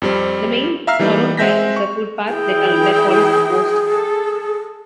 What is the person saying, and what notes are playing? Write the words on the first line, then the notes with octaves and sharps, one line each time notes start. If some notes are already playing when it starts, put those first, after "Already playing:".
The main thoroughfare is a footpath that follows the coast.
F2 G3 C4
E5 F5 A#5 E6 F6 C7
E3 G3 A#3 D#4
G#3 C4 E5 G6 A#6 B6
C#6
E3 E4 G#4 G5
A4